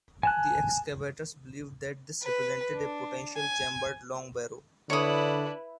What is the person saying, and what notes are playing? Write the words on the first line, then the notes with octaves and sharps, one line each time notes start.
The excavators believed that this represented a potential chambered long barrow.
G#5 A5 F#6
B4
D4
G#5
D3 D4 E4 B4 C#5 D#6